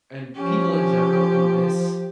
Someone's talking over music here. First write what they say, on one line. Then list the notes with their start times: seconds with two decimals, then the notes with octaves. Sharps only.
and people in general in this
0.35 F3 C#4 G4